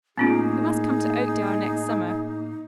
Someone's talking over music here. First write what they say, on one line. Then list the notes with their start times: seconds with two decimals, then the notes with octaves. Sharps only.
You must come to Oakdale next summer.
0.18 A2 A#3 B3 C#4 D#4 F4 G#4